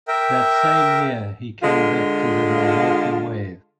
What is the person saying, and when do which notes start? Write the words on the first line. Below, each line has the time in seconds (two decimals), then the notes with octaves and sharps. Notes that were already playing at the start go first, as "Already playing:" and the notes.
That same year, he came back to the Milwaukee Wave.
0.08 A#4 E5 G5
1.62 D3 G#3 F4